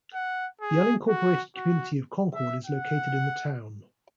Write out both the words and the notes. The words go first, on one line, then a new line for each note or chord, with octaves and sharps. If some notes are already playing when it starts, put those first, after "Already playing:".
The unincorporated community of Concord is located in the town.
F#5
G#4
F#4
F#4
E5
F#5